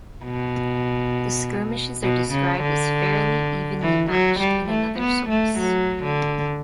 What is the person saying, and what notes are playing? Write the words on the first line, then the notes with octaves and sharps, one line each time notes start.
The skirmishes are described as fairly evenly matched in another source.
B2
B2
C#3
D3
E3
F#3
G3
A3
B3
A3
F#3
D3